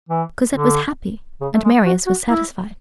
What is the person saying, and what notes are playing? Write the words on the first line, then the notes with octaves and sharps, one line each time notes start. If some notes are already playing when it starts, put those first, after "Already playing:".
Cosette was happy, and Marius was satisfied.
E3
D3
C#3
A3
G#3
F#4
F#4
E4